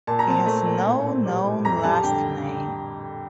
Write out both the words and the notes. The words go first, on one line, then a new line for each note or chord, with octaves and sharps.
He has no known last name.
A#2 A5
A#5
C4 A5
A3
A#2
A2
C4
G3
A2
F2 A#5
G3 A5
D3 G5